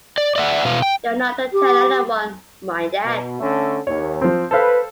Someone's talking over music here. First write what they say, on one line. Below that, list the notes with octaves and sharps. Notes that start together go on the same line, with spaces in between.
You are not to tell any one; mind that.
D5
D5 E5 F#5
B2 B4 F5
G5
G4
B2
D3 A3 C#4
D#2 C#5
F3 C4
A4 B4 C5 F5